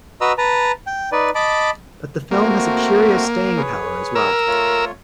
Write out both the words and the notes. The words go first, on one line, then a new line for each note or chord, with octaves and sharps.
But the film has a curious staying power as well.
F#4 B4 D#5 A#5 E6
B4 A5 A#5
G5
D#4 B4 D5
D#5 A5 B5 D6
A3 A#3 C4 F#4
G#4 B4 C#5
A#4 E6
A3 F4 C#5